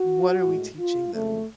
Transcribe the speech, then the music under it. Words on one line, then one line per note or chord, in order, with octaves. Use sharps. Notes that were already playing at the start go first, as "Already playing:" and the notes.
"What are we teaching them?"
Already playing: F#4
A2 G#3
F4
F2 C#3 G#3 A3